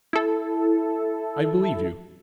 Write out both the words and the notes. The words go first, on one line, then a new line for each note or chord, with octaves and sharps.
"I believe you."
E4 A4